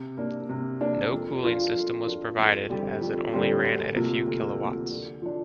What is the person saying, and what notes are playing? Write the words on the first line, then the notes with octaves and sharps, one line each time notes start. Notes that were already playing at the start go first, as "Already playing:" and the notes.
No cooling system was provided as it only ran at a few kilowatts.
Already playing: C3
A#3 D4
C3
A#3 D4
F2
F3 D4 F4 A#4
F2
F3 D4 F4 A#4
F2
D3 G3 C4 G4
F2
D3 G3 C4 G4
D2
C3 F3 A#3
D2
C3 F3 A#3
D3
F3 D4